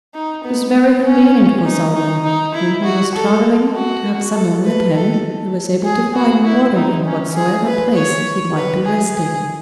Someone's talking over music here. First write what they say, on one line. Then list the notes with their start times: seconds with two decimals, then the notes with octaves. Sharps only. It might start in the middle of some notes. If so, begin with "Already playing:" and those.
It was very convenient for Solomon, when he was traveling, to have some one with him who was able to find water in whatsoever place he might be resting.
0.14 D#4
0.44 B3
0.74 B3
1.04 C#4
1.64 D#4
1.94 D#4
2.24 D#4
2.54 E4
2.84 F#4
3.15 A4
3.75 F#4
4.35 A4
4.64 B4
4.95 A4
5.85 G#4
6.15 F#4
6.45 E4
6.75 D#4
7.05 C#4
7.35 G#4
7.66 B4
7.95 C#5
8.56 B4
8.85 G#4
9.16 G#4